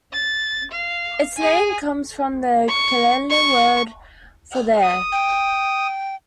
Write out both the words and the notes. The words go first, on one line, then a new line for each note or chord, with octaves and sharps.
Its name comes from the Kele word for "there".
A6
F5
G#4 G#5
C#6
C#6
D#6
G5